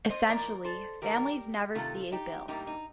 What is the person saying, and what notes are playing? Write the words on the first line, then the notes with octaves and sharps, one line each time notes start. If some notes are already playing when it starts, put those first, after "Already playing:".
Essentially, families never see a bill.
C5 D#5
A2 F3 A#3 A#4 D5
A4 C5
D#3 G3 A#3 G4 A#4
C3 D#3 A3 F4 A4
D#4 G4
A2 G3 A#3 D#4 G4
D#4